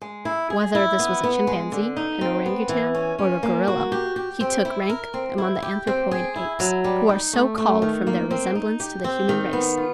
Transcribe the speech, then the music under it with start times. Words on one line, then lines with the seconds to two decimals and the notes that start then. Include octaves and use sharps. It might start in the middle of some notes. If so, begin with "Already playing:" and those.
Whether this was a chimpanzee, an orangoutang, or a gorilla, he took rank among the anthropoid apes, who are so called from their resemblance to the human race.
0.02 G#3
0.25 E4
0.50 G#4
0.75 E4
0.99 B3
1.23 B3
1.47 G#3
1.72 D3
1.97 D#4
2.21 C4
2.46 B3
2.69 E3
2.95 C#4
3.19 C#4
3.43 A#3
3.68 F#4
3.92 G4
4.16 G4
4.40 C4
4.65 E4
4.90 A#4
5.14 C4
5.38 E4
5.62 G4
5.87 C4
6.11 G#4
6.36 E4
6.60 F#3
6.84 G3
7.09 D#4
7.33 A3
7.58 A3
7.82 D#3
8.07 A#3
8.31 C4
8.55 D#4
8.80 G4
9.04 C4
9.29 D#3
9.53 B3
9.77 F4